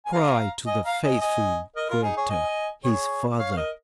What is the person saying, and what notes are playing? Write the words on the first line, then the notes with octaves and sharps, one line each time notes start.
Cry to the faithful creator, his Father.
G#5
F5 A#5
D#5 G#5
F5 A#5
D#5 G#5
D#5 G#5
A#4 D#5
F4 A#4
D#4 G#4
G#4 C#5
D#5 G#5
G#4 C#5
C#5 F5
F5
A#4 D#5